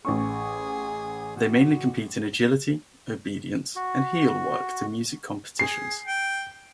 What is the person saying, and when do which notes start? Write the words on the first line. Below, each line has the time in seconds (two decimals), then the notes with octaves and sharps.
They mainly compete in agility, obedience and heelwork to music competitions.
0.05 A1 C#4 G#4 C#6
1.36 F#4
3.76 F#4
5.59 G#4 C7
6.06 G5